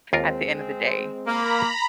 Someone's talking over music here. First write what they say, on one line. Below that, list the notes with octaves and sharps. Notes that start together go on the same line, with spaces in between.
at the end of the day.
D#2 G#3 C4 F4 A#4
A#3 A#5 B5